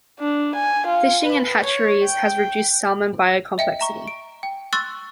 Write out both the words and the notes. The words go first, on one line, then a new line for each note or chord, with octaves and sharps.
Fishing and hatcheries has reduced salmon biocomplexity.
D4
G#5
F4
B4
C#5
G5
D#5 E5 G5
E5 A#5 C#6
D7
G5
C6 C#6 E6 F#6 A6